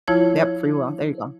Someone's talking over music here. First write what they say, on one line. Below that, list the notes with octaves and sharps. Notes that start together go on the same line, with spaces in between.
Yep, free will, there you go.
F3 E4 F4 C#5 A5 G#6